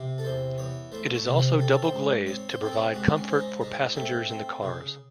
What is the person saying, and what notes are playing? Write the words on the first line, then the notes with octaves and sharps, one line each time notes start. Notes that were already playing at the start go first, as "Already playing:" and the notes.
It is also double-glazed to provide comfort for passengers in the cars.
Already playing: C3 C4
A4
E2 C5
E2 C#5
A3 C5
C#5
C3
C5
C4 A4
C#5
C5
G#2
C4 C#5
C5
C4 A4
G#4
G#2 F#4
C#4
C4
C#4
D#4
G#2 D#4
A3 C4
C4
C#3